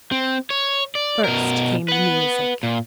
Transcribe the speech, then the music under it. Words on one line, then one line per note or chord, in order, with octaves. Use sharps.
First came the music.
C4
C#5
D5
B2 A#4
B4 F#5
A#2